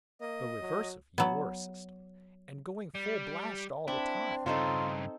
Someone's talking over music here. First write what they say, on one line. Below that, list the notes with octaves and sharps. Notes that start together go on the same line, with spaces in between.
The reverse of your system, and going full blast all the time.
A#3 D#5
F#3
F#3 B3
G3
C4 D4 E4
G2 C#3 C4 D#4 F4 A4